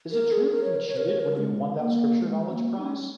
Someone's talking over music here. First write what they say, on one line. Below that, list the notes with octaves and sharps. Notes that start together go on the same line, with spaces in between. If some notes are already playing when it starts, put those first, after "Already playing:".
Is it true that you cheated when you won that Scripture-knowledge prize?
A#4
G#4
A#4
C#5
A#4
C#5
A#4
C#5
A#4
G#3
A#3
G#3
C#4
A#3
D#4
C#4